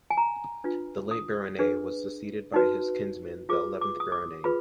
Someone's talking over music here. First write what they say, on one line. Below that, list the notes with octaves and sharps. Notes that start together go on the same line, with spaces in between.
The late Baronet was succeeded by his kinsman, the eleventh Baronet.
G#5
A#5
D4 F4 B4
D#6
D4 G#4 B4
D#4 F#4 B4
F4 G#4 B4 D6
D6
D#6
D6
F4 G#4 B4 B5